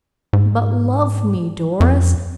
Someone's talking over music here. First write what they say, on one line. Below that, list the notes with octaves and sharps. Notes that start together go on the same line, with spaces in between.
But love me, Doris.
G#2
F2